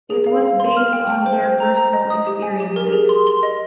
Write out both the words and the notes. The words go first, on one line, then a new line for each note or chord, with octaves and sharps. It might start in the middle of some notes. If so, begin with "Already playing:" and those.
It was based on their personal experiences.
G#4
F5
F5
C6
F6
G5
G5
C5
C5
A#5
A#5
D#5
D#6
G4
G#5
G4
A#4
G#4
C6
C6
D#5